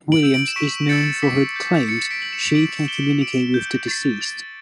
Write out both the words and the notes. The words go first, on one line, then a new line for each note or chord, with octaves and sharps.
Williams is known for her claims she can communicate with the deceased.
D7 F#7
E6 G6
D7 F#7
E7
C#6 B6 D7
E6 G6 A6 C#7
D6 B6
G6
D6 A6 C#7
E7
B6 D7
G6 F#7
C#7 E7
D6 D7 F#7
G6 E7 G7
D6 D7 F#7
G6
C#6 A6
G6 A6